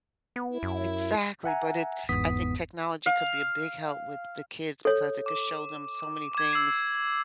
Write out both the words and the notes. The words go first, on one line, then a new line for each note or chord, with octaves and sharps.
Exactly, but it I think technology could be a big help with the kids because it could show them so many things
B3
E4
F#2
E5 F#5 G#5 A#5
G1 E2 G#2 B3 D#6 B6
F5
A4 C#5
D6
D6 G#6
E6 C7